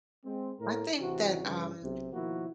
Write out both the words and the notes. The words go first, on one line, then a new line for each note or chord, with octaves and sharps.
I think that, um,
G#3 C4
A2 A#4
A1 C3 E3 F#4
G2 C#3
B1 C3
B2 D#3 F3 A#3 E4 F#4